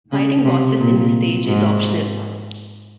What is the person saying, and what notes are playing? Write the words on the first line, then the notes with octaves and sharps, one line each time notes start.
Fighting bosses in this stage is optional.
C#3
C3
A#2
G#2